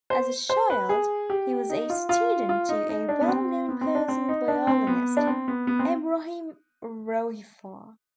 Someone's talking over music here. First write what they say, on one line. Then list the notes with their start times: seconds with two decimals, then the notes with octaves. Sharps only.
As a child, he was a student to a well-known Persian violinist, Ebrahim Rouhifar.
0.10 C5
0.49 C5
0.70 B4
0.89 G#4
1.30 G4
1.70 D#4
1.90 F4
2.09 F4
2.49 F4
2.69 D#4
2.89 D#4
3.09 D4
3.21 B3
3.28 C4
3.69 B3
3.81 C4
3.95 D4
4.08 C4
4.28 D#4
4.48 D4
4.67 C4
4.87 B3
5.17 D4
5.27 C4
5.48 B3
5.67 B3
5.79 C4